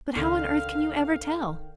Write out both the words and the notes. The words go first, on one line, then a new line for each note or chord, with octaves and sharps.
But how on earth can you ever tell?
C#2 D3 D#3 F5